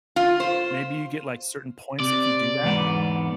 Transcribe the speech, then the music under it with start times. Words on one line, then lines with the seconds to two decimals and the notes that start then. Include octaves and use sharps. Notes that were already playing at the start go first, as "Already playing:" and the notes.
maybe you get, like, certain points if you do that,
0.16 F4
0.40 C5
2.00 C3 D5
2.63 E2 G#2 B3